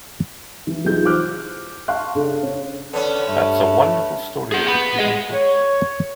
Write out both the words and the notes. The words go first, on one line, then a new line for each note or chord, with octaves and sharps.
That's a wonderful story of the Cuban coast.
E3
B1 E3 D#4 F4 G#4 G6
C5 D6 F6 F#6
F5 A5 C6 C#6 F#6
C#3 D4 A4
C#4
D3 B3 C#4 D5
G2 A3 E5
G#4 F#5
F#5 B5
G#4 D#5
C#5